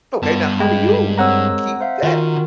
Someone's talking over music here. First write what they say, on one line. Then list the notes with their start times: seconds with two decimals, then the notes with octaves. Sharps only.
Okay. Now how do you keep that
0.22 G2 B3 A5
0.60 G#3 G5 B5
1.18 C4 A#4 C#5 F#5 A#5 E6
1.80 C5 E5 F5
2.03 D#3 F4 F#4 A#4